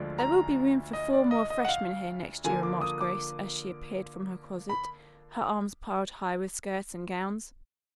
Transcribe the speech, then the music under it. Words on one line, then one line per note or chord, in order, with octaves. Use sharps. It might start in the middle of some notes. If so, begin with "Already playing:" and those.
"There will be room for four more freshmen here next year," remarked Grace, as she appeared from her closet, her arms piled high with skirts and gowns.
Already playing: D2 D3 F3 G#3 D4
A#5
D#5
D5
D#5
D#5
F#5
F5
D3 F3 A#3 G#5
D6
D#6
D6
B5